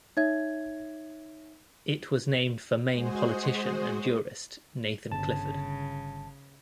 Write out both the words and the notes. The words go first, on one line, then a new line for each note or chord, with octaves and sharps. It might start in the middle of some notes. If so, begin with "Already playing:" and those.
It was named for Maine politician and jurist Nathan Clifford.
D#4 C#5 E5 G#6
G#3 F#4 G#4 C5
G1 C#3 A5